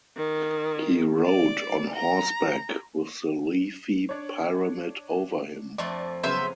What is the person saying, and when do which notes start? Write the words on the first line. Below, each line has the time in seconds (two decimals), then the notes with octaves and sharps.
He rode on horseback with the leafy pyramid over him.
0.17 D#3
1.26 D5
1.95 A#5
4.09 D4 C#5
5.78 F2 F3 A3 D5
6.23 C#3 F#3 B3 C5 E5 F5 G#5